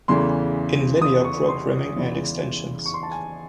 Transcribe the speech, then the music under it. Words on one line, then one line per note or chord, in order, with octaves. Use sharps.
In Linear Programming and Extensions.
E2 C#3 E3 A3 C6
D#6
C#6
C6
E2 C#3 E3
C#6
C6
A5
G#5